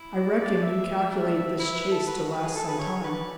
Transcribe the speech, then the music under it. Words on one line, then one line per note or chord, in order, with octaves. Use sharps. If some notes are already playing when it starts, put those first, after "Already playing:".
"I reckon you calculate this chase to last some time."
Already playing: E4
D5
E5
D4 E5
E4 E5
B4
A4
F#4 B4
B4
G#4
G#4 A4
B4
C#5
C#5
B4 D5